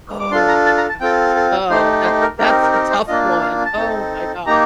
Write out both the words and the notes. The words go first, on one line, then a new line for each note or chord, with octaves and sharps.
Oh my gosh! Oh, that's that's a tough one. Oh my gosh!
D6
D4 F4 A4 C6
A#5
A5
A#5
A5
C4 F4 A4 G5
A4
A3 D#4 G4 C5
C5
A#4
C4 D#4 G4 A#4
A#4
A#4
A#4
C5
A#3 D4 F4 D#5
F5
A5
C4 D#4 A4
A#3 D#4 G4 A#5